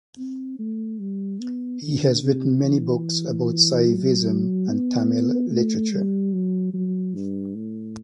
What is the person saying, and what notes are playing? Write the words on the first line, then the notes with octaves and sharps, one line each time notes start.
He has written many books about Saivism and Tamil Literature.
C4
A3
G3
B3
D3
C3
E3
F#3
B3
A3
G3
F#3
F#3
G2
A2